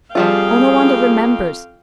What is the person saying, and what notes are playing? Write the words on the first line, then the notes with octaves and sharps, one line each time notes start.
Onawandah remembers!
F2 F3 G3 F4 G#4 F5 G5